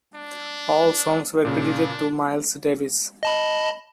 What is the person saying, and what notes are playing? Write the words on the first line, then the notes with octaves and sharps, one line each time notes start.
All songs were credited to Miles Davis.
D4
A#2 C#3 D4
D#5 A5 B5